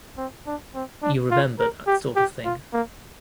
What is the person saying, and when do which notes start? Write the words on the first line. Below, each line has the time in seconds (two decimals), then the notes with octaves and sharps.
You remember that sort of thing.
0.18 C4
0.46 D4
0.75 C4
1.02 D4
1.31 F4
1.59 A#4
1.87 G4
2.16 G4
2.44 F4
2.73 A#3